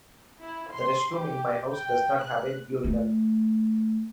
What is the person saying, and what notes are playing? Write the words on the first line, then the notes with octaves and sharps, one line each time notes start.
The restroom in my house does not have a urinal.
E4
C6
G4
G5
F#6
A3